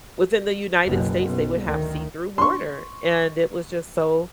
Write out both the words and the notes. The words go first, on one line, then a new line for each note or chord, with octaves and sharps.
within the United States they would have see-through water, and it was just so
F#1 B1 B2
B1
D2 D#3
C6 C#6